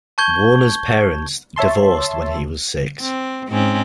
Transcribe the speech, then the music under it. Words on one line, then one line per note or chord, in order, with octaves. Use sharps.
Warner's parents divorced when he was six.
A5 C#6 G6 G#6 G7
C#5 E5 A5 C6
C4
G#2 C4 C#4